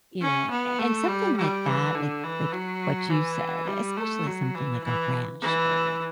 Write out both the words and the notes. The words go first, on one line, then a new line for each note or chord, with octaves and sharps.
you know? A and, something like that, like like what you said, especially something like a rash or
C#4
B3
A3
G3
G3
E3
D3
E3
F#3
E3
G3
A3
F#3
E3
E3
E3